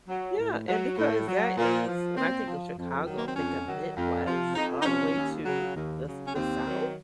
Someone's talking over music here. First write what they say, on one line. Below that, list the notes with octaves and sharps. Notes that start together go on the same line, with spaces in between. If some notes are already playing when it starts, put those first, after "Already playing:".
Yeah, and because that is when I think of Chicago, I'm thinking Midwest all the way to the s the South?
F#3
A2
F#3
A2
F#3
A#2
F3
A#2 C4
F3
F2
D#3 F#3
A#3
C4
F2 C#4
D#3 F#3
F2
C3 F3
F2 D#4
D#4
C3 F3 C#4
D#2
C#3 F#3
D#2
C#3 F#3
C#4
D#2 C4
D#3 F#3